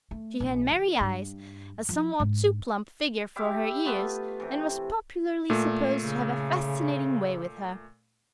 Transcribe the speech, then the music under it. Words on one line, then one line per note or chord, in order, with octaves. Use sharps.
She had merry eyes, a somewhat too plump figure for her years, and was popularly supposed to have a fascinating way with her.
A3
A#1 A#3
D#3
G2
F3
G#2 D4
E4 G4 E5 F5
A3 B3 F4 B4
C3 E3
A#2 A3
C#3